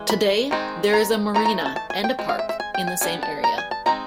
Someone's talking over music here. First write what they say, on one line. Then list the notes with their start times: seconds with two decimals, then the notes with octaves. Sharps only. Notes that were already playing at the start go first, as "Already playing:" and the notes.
Today there is a marina and a park in the same area.
Already playing: E3 G#3
0.09 B5
0.51 D#3 G#3 C4 D#4
0.94 A#5
1.34 E3 A3 C4 D#4 A#5
1.45 A#5
1.66 A5
1.76 A5
1.90 G#5
2.04 G5
2.19 G#3 C4
2.29 F5
2.39 E5
2.49 E5
2.60 G#5
2.74 G5
2.87 G#5
3.01 G3 B3 D4 G#5
3.23 A5
3.44 A#5
3.58 G#5
3.71 A5
3.86 G#3 C4 D#4 A#5